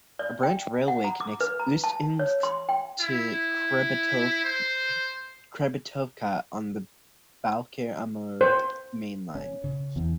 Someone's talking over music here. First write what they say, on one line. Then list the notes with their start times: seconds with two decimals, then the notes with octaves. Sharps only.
A branch railway connects Ust-Ilimsk to Khrebetovka on the Baikal-Amur Mainline.
0.19 D5
0.43 G5
0.88 F#5
1.04 A#5
1.20 D6
1.41 B4
1.60 A#5
1.84 A5
2.19 C#5
2.43 C6
2.69 G5
3.01 E4
4.45 C5
8.41 C5
9.35 C#4
9.64 C#3
9.96 E2